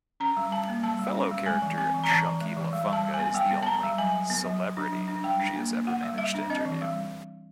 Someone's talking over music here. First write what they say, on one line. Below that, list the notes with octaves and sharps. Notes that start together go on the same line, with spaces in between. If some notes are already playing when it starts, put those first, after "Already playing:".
Fellow character Chunky Lafunga is the only "celebrity" she has ever managed to interview.
C#4 A#5
G3
G3 A5
A#3
G3 A5
G3
C#4
G3
G#3 G#5
E3
C4 G#5
E3
A#5
E3 A5
E3
G#3
E3
G3
G3 A5
G3
G#5
B3
G3 G5
B3
A5
B3 A#5
G3
F#3 G#5
F#3
B3
F#3
F#3
D4
F#3
D4
G3 G5
D4
A#3
A#3
A#3 F#5
G3
G3 E5
D4
C4 D#5
E3
G3